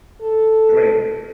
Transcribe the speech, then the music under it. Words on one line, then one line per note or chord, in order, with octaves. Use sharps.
I mean,
A4